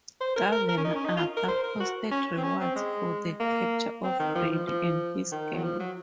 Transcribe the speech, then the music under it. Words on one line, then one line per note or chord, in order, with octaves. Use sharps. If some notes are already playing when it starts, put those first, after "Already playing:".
Governor Arthur posted rewards for the capture of Brady and his gang.
C5
A#4
A#4
A#4
C#4
D#4
C#4
D#4
F4
A#4
C5
A#4
F#4
C#4
C4
C#4
C4
G#3
A#3
C4
D#3
F3
F3
F3
D#3
F#3
F3
F#3